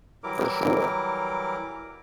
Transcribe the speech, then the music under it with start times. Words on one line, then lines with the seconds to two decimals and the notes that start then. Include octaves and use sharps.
For sure,
0.24 E3 F#3 G3 E4 A#4 D6